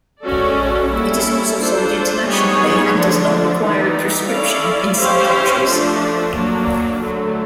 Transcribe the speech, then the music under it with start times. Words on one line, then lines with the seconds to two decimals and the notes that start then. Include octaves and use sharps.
It is also sold internationally, and does not require a prescription in some countries.
0.23 G#3 C#4 F#4 A4 D5
0.92 G3 A#3 C#4 E4 A4
1.60 D4 F4 A4 C5
2.27 G3 B3 D#4 G#4 C#5
2.96 D3 F3 A3 D4
3.63 E3 G3 B3 D#4
4.30 C#4 E4 A4 D5 F5
4.98 C#4 E4 G4 C5 F5
5.67 F3 A3 D4
6.35 F#3 A#3 D4
7.03 D3 F#3 A3